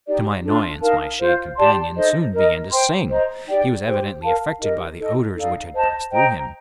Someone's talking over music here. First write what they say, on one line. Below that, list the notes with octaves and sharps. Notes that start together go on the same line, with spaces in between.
To my annoyance my shade companion soon began to sing--he was evidently affected by the odors which had passed through him.
D#4 G4 D5
D4 F4 A4
D#4 A#4 F5 A5
F4 C5 F5
G4 D5 A5 C6
D#4 A4 C5 D#5
A#4 D#5 A#5
C5 G5 C6
C5 D#5 A#5
D#4 G4 D5 G5
G4 C5 G5
A#4 F5 A5
D#4 G4 A#4 D#5
D#4 A4 D#5
D#4 A4 D5 F5
C5 D#5 A5
C5 D#5 G5 A#5